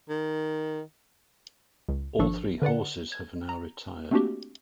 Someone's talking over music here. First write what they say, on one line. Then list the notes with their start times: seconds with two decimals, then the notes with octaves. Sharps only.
All three horses have now retired.
0.10 D#3
1.89 C#2
2.19 G#1 F3 D4 A4 C#6
2.62 D3 B4 D5 F#5
3.12 G#6
3.49 A#5
4.11 A3 A#3 C4 D4 F#4 G4